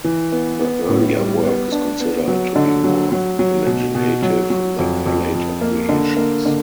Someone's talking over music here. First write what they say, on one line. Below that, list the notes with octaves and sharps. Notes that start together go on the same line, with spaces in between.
Her earlier work is considered to be more imaginative than her later creations.
E3
B3
B3
A2
G3
B3
D4
B3
F#3
D3
F#3
F#3
F#3
B2
B2
F#3
F#3
F2
F2
F2
A#3
D3
A#3
D3